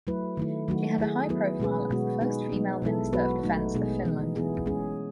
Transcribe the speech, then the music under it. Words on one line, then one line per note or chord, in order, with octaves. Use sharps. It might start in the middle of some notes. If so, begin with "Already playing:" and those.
She had a high profile as the first female Minister of Defence of Finland.
F#3 A3 E4 B4
D#3 A3 E4
D#3 F#3 A3 D#4 F#4
A3 E4 G#4
F#3 B3 E4 B4
B2 G#3 C#4 G#4 B4
B2 G#3 B3 F#4
G#3 D#4 G#4 B4
F#3 B3 D#4
B2 G#3 B3 E4 A4
F#3 B3 F#4 B4
F#3 A3 D#4
B2 G#3 B3 D#4 G#4
E3 B3 D#4
E3 B3 E4 G#4
G#3 C#4 G#4